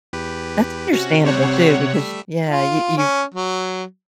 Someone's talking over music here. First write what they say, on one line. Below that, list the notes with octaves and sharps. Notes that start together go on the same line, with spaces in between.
That's understandable, too, because, yeah, you you
E2 G4 B4
C3 C#4 F#4
C3 G3 C4 C5 C#5 F#5
G3 A3 E5
F4
C#4
F#3